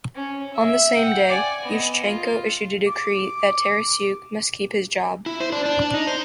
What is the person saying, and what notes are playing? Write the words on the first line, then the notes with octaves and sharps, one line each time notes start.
On the same day, Yushchenko issued a decree that Tarasyuk must keep his job.
C#4
E5
F#5 G5
D5 G#5
B3 D#5
F4
D6
E4
C5
D4
D4
D4
D#4
C5